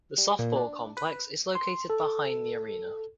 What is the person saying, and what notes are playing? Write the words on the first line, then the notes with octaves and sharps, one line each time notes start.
The Softball Complex is located behind the arena.
G3
A#2
D4
B4
C6
A4